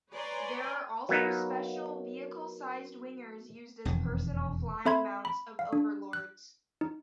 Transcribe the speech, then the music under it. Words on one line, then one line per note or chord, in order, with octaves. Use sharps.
There are also special, vehicle-sized Wingers used as the personal flying mounts of Overlords.
B4 C#5 D5 G#5 A#5 C6
F#3 A#3 B3 D#4
E1 F2 D#3
C4 A4 E5 B5 C6 G#6
B5
F5
D4
F#6
D#4